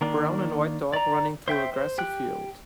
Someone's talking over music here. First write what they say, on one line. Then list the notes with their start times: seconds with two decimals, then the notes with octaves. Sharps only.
Brown and white dog running through a grassy field.
0.01 D#3 A#3 D4
0.93 D5 A#5
1.48 C5 E5 G5 G6
1.74 C5
1.98 G4 G5 F#6